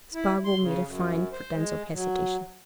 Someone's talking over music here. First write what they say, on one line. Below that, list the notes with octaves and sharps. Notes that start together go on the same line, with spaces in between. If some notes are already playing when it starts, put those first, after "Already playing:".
Spargo made a fine pretence of hesitation.
E4
C6
C#3
F#2
C5
G#3
F#3